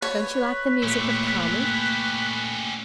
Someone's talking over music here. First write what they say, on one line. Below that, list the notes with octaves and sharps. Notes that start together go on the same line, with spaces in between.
Don't you like the music of CARMEN?'
B4 C#5
A#2 A3 C#4 G4